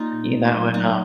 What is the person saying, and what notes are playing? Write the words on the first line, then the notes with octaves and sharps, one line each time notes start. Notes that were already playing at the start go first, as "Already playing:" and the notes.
you know, and, uh
Already playing: A#3 D#4 F4
A#2
A3
F#3
F#3 D#4